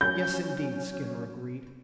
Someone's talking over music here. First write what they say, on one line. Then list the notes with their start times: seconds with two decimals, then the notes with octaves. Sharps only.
"Yes, indeed," Skinner agreed.
0.01 F#3 C#4 G6